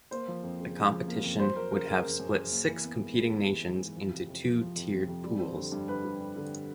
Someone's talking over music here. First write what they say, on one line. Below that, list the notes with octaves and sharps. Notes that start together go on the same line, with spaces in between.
The competition would have split six competing nations into two tiered pools.
A#3 C5
F3
F2
C#3
C#3
F3
A#3
F2
F#3 C5
F#3 A#4
C#3 A#4
C#3 A#4
F#2
F#2
C#3
A#3
E3
B3
G#2
G#3
G#3
E3
G#2
E3
F3
C3
F2
F3
F3
F2
C3
F2
G3
C4
D3
G2
G2 B4
G3
G2
D3